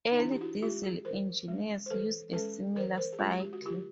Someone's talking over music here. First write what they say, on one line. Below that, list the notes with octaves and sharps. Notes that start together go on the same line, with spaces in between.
Early Diesel engines use a similar cycle.
D#4
E3 D4 E4
G4
E4 F#4
G#3 C#4 F4 G4
F#4 G#4
E3 A#4 C5
G#3 C#4
C5
E3 A4 B4
G#3 C#4 A4 B4
E3 A#4 C5
A#4 C5
G#4
G#3 C#4 F4 G4
G4
F#4
D3 F4 G4